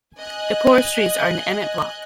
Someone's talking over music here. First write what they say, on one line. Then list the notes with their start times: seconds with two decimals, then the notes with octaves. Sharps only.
The poorest streets are in the Emmett Block.
0.19 D#5 G#5 F#6